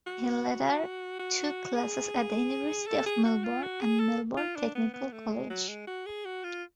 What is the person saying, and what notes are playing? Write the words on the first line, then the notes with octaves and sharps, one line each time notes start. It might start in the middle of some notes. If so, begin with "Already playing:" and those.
He later took classes at the University of Melbourne and Melbourne Technical College.
F#4
F#4
G#4
A4
G#4
F#4
F4
F#4
G#4
A4
F4
D4
B3
B3
A3
G#3
F#3
G#3
F#4
G#4
F#4
F4